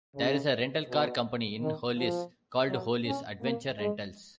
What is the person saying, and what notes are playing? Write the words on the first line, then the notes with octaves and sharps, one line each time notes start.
There is a rental car company in Hollis called Hollis Adventure Rentals.
C#3
B2
D#3
F3
F#3
C#4
A#3
G#3